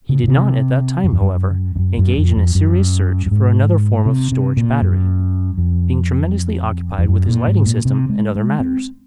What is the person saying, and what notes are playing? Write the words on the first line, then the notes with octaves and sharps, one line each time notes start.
He did not at that time, however, engage in a serious search for another form of storage battery, being tremendously occupied with his lighting system and other matters.
C#3
A#2
C3
F#2
F2
F#2
F2
F#2
F#2
F2
F2
F#2
F#2
G#2
C3
C3
A#2
F#2
F2
F2
F#2
A#2
G#2
A#2
C3
G#3
G#3
C4